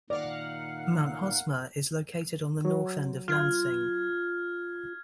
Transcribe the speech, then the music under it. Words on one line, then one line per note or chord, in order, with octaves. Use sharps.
Mount Hosmer is located on the north end of Lansing.
A#2 D#3 A#4 D5 F5 F#5
F#3
F4 F6 G#6